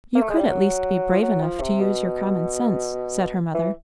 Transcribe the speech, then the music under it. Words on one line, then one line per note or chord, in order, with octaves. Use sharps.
"You could at least be brave enough to use your common sense," said her mother.
A#3
A3
G#3
G3
F#3
F3
F#3
F3
C3
B2
E3